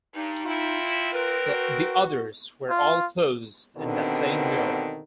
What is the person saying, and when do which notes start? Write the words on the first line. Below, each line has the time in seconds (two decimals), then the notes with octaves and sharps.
The others were all closed in that same year.
0.14 G2 D#4
0.46 A3 C4 E4 F4
1.13 F#3 C4 A#4 B4
1.47 F#4
2.70 F4
3.77 D#2 B2 D3 D#3 C4 D4